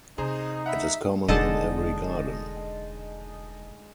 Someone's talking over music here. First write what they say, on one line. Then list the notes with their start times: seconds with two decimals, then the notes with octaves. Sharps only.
It is common in every garden.
0.18 C3 D#4 G#4 C5 A#5
0.66 E5 F#5 A#5 B5
1.28 E1 D3 G#3 D#4 A4 D5 D#5 A5